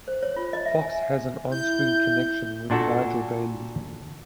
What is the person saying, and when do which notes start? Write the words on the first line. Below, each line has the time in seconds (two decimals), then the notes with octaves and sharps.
Fox has an on-screen connection with Nigel Bailey.
0.08 C5
0.23 C#5
0.36 F4
0.53 D#5
0.66 E5
0.81 G#5
1.52 E4 G6
2.70 A#2 D4 F#4 A4